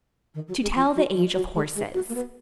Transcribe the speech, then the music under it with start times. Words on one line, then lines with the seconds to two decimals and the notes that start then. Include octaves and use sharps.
To Tell the Age of Horses.
0.34 D#3
0.47 F#3
0.61 G#3
0.74 F3
0.95 F#3
1.14 F3
1.34 F#3
1.54 G#3
1.74 G#3
1.94 F#4
2.08 A#3
2.14 B3